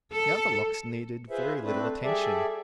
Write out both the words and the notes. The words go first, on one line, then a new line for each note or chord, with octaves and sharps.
The other locks needed very little attention.
A4
F4 G#4 B4 C5 E5
A3 C4 D4 B4
G3 G#4 A4 D5 E5